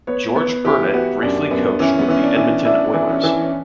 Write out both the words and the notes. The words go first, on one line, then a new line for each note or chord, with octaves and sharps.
George Burnett briefly coached with the Edmonton Oilers.
B3 C#5
B3 B4
E3 G4
B3 F#4
F#2 D4
F#2 B3
E3 C#4
B3
E3 C#4
D4
E3
D4 E4
E3
C#4
E3
C#4